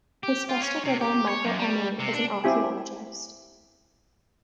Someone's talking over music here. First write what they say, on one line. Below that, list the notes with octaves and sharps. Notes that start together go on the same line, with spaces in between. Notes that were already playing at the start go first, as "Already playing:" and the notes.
His foster brother, Michael Emery, is an archaeologist.
G4
F4
C#4
C3
G4
C#5
F#2
G3
C3
D4
C4 E4 G4 G#5